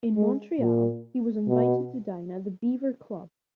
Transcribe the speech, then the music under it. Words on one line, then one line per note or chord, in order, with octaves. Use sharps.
In Montreal, he was invited to dine at the Beaver Club.
G#3
A#2
B2